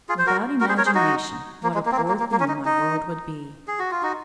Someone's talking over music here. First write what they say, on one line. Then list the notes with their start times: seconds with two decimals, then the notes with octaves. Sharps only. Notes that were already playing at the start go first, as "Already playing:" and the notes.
Without imagination what a poor thing my world would be!
0.09 F4 G#4
0.19 C5
0.26 F#4 A#4
0.60 F#4 A#4
0.69 G#4 C5
0.78 A#4 C#5
0.86 G#4 C5
0.95 D#4 F#4
1.63 A#3
1.74 G#3
1.86 A#3
1.92 C4
1.97 A#3
2.08 A#3
2.20 A#3
2.31 A#3
2.40 C#4
2.48 D#4
2.65 D#4
3.68 G#4
3.79 F#4
3.91 F4
4.03 D#4 F#4